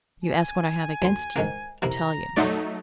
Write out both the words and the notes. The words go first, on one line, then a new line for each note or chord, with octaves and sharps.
You ask what I have against you; I tell you.
G#5
D2 C6
G#2 D#3 A#3
C3 A#3 E4 A#5
F#3 A3 D#4 D5 F#5 C6